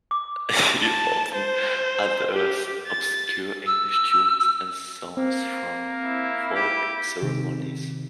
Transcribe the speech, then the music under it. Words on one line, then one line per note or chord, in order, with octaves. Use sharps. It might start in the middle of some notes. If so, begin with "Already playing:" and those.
He often unearths obscure English tunes and songs from folk ceremonies.
D6
A5
C5
G4
A6
E6
A#3 C4
E4
G4
C3 D#3